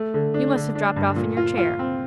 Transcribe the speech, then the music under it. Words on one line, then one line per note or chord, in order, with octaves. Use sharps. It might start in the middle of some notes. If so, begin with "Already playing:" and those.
You must have dropped off in your chair.'
Already playing: A3
D3
D4
D3
D4
G2
A#2
F4
F4
C4